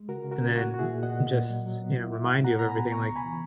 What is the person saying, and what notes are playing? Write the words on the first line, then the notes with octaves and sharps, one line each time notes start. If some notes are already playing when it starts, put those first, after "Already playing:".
and then just, you know, remind you of everything. Like,
Already playing: G#3
C#3 F#4 A#4
C#3
F#4 A#4
C#4
A#3 F#4
A#2 F#4
E4 G#4
A#2
A#2 D#5 F#5
A#2
A#2
F#3
F#3
B3
E4
E4
A#2
B2 F#5 A#5
B3 A#5
G#5 B5
B2
B3 A#5 C#6
C#2
G#5 B5
E3